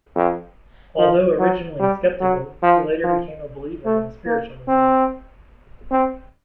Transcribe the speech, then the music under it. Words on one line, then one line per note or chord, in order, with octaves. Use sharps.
Although originally skeptical, he later became a believer in spiritualism.
F2
F3
F#3
G3
F#3
F3
F3
A3
A#3
C4
C4